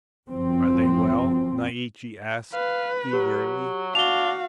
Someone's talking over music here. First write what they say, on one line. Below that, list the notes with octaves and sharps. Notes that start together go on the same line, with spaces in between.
"Are they well?" Naiche asked eagerly.
G1 F#2 F3 C4
B4 F5
F#3 G4
D4 F#4 F5 F7 G7